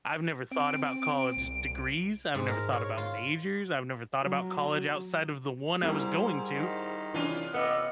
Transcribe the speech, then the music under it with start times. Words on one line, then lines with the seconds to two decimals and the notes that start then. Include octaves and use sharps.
I've never thought about college degrees. I've never thought about majors. I've never thought about college outside of the one I was going to
0.51 C4 D7
1.37 C2
2.34 G#2
2.48 A#4
2.73 C#5
2.97 F4
4.24 F#3
5.83 G#2 G3 E4 A#4
6.55 D#3
7.14 D#2 C3 E3 D4 F4 D#7
7.54 B3 B4 D#5 D6 E6